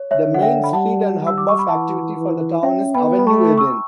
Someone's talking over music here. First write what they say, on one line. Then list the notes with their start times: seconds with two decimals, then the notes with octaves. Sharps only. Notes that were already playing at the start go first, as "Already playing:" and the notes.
The main street and hub of activity for the town is "Avenue Eden".
Already playing: C#5
0.11 C#5 E5
0.27 D3
0.34 F#5
0.42 E5 G5
0.64 B5
0.73 G3 F#5 A5
1.22 G3 E6
1.38 D6
1.49 C#6
1.59 B5
1.68 E3 F#5 A5
2.16 E3
2.63 C#4 E5 G5
2.94 B3 G5 B5
3.19 B5
3.26 A3 A5 C#6
3.58 C#6 E6